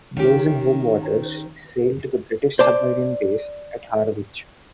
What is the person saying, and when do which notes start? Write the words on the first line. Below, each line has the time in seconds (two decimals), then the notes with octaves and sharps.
Those in home waters sailed to the British submarine base at Harwich.
0.17 D#3 C#4 G4
2.59 C5 D5 A5